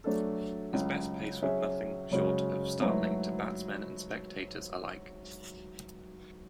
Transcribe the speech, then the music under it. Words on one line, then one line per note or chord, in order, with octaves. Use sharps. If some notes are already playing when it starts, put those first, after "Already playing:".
His best pace was nothing short of startling to batsmen and spectators alike.
F#3 A3 D4 A4
C#2 C#3 F#3
F#3 C#4 G#4 C#5 E5
F#2 C#3 G#3 C#4 F#4
G#2 F#3 A3 E4 B4